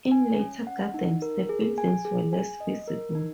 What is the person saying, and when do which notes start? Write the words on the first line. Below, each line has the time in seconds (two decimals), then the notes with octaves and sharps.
In later gardens, the buildings were less visible.
0.12 G#5
0.39 C#4
0.67 F#5
0.94 D#4
1.22 A#4
1.49 G#4
1.78 G#5
2.05 G#4
2.33 G#5
2.60 D#5
2.88 A#4
3.15 D#4